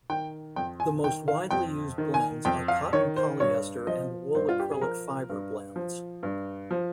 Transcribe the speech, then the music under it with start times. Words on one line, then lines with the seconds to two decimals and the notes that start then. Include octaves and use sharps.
The most widely used blends are cotton-polyester and wool-acrylic fibre blends.
0.10 D#3 G5
0.56 F2 G5
0.80 G#5
1.04 D#3 G5
1.28 F5
1.51 F2 G5
1.98 D#3
2.14 G#5
2.45 F2 G5
2.68 F5
2.93 D#3 C#5
3.16 C5
3.40 G2 C#5
3.87 F3 D#5
4.34 G2 C5
4.49 F4
4.60 G4
4.71 G#4
4.81 F3 A#4
5.29 G2
5.76 F3
6.23 G2
6.71 F3